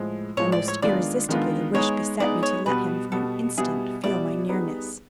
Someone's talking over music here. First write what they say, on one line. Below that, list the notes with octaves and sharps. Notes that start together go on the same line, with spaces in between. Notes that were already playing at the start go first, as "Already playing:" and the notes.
Almost irresistibly the wish beset me to let him for an instant feel my nearness.
Already playing: A2 F3 G#3
A2 F3 G#3 C#5
D5
C#5
D#3 G#3 B3 D4 F4 D5
D#3 G#3 B3 D4 F4
G#3 B3 D#4 G#4 C#5
G#3 B3 D#4 G#4 D5
C#5
B2 G3 B3 B4
B2 G3 B3 A4
B2 G3 B3 E4 G#4
B2 G3 B3 E4 D5
G3 B3 D#4 G#4 B4